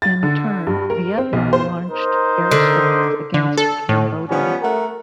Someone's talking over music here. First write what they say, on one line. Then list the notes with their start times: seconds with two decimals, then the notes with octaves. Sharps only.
In turn, Vietnam launched air strikes against Cambodia.
0.02 A6
0.23 D3
0.67 G2
0.90 A#4
1.18 C4
1.33 B1
1.53 C5
1.90 D#4 A#4 C5
2.51 D3
3.34 D3
3.58 A4
3.89 A2
4.29 F3 G3 B3 C#4
4.62 A3 A#4 F#5